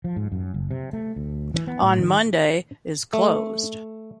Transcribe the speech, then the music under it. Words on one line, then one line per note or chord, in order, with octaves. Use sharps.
On Monday is closed.
F3
G#2
F#2
F#1
C3
A3
D2
E3
B3
A2
D#3
A3